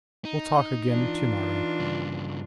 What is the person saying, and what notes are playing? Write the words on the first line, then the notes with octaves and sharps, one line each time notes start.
"We'll talk again to-morrow."
D#4
E3 D4 F4
G2 C#3